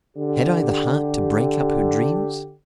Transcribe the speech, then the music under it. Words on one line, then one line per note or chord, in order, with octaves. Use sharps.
Had I the heart to break up her dreams?
D3 G4